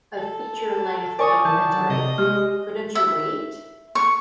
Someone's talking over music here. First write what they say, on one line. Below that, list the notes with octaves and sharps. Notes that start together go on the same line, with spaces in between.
A feature-length documentary, Couldn't You Wait?
A4
A#4 D5 G#5 C#6 D#6
E3 A5 G6
F#3
C3 D#5
G#3 G4 F6
E5
C#6